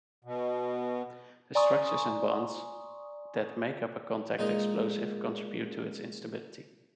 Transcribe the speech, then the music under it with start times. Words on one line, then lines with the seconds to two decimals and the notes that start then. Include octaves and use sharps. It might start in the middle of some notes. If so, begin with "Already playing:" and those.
The structures and bonds that make up a contact explosive contribute to its instability.
0.24 B2
1.55 D5 G#5 A#5 C6 C#6 D#6
4.39 A#2 G#3 D#4 A#4 D#5